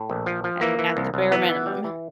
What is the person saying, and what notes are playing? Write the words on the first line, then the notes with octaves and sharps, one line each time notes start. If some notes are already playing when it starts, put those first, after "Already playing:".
at at the bare minimum.
Already playing: A2
A#1
F3
F3
E3 A#3
E3
C2
C2
E3 B3
E3
G3
E3